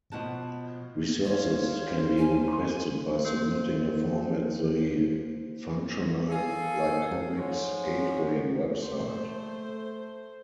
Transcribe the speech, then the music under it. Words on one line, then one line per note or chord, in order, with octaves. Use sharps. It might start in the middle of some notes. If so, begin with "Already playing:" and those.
Resources can be requested by submitting a form at the Functional Glycomics Gateway website.
B2 F3 F#5 A5
C5 C#5 F5
G#5
A#3 C5
G#4 A4 F5
G#2 F3 C#5
A3 C5